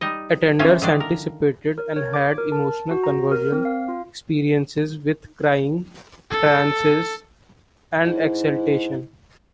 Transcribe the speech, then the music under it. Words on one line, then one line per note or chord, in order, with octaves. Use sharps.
Attenders anticipated and had emotional conversion experiences, with crying, trances, and exaltation.
G3 D#4 D#5
E3 F3 C#4 F4
D3 D#3 D4 D5
A#4
A#4
C#5
D6
A#4
A5
F#4
A#5
A#4
C4
F5
F4
A4
G#2 E4